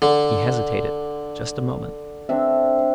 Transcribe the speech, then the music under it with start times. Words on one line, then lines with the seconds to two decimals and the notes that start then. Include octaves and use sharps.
He hesitated just a moment.
0.02 D3
2.29 C4 D4 E5